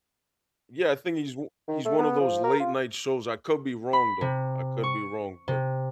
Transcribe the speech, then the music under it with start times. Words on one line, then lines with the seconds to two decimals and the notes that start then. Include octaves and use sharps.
Yeah, I think he's o he's one of those late-night shows, I could be wrong, though, I could be wrong, but
1.67 D#3
1.85 A3
1.98 B3
2.20 F3
2.44 A#4
2.60 F4
3.93 B5
4.21 C3
4.83 C#6
5.48 C3